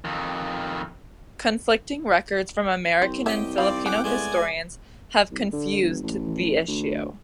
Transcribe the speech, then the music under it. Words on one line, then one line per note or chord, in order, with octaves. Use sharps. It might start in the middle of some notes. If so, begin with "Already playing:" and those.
Conflicting records from American and Filipino historians have confused the issue.
F2 D#3
C2 C4
G4 C#5 D#5 E5 F#5 G5
C4 D#4 D5 F5 B5
C#3 F#5 G5 D6
G#3 A3 B3 D5 G#5
C2
D3
G1
A1
D2